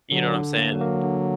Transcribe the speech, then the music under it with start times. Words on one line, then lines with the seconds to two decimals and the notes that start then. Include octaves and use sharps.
You know what I'm saying?
0.11 D3 F#3
0.34 D3
0.58 A#3
0.73 F#3
0.81 A#3
1.03 D3